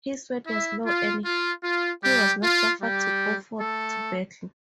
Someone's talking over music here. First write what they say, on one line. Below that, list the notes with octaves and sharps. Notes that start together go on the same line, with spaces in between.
His word was law and he was not suffered to go forth to battle.
E4 E5
F4
F4
F4
G3 G4
F4
G3 G4
A3 A4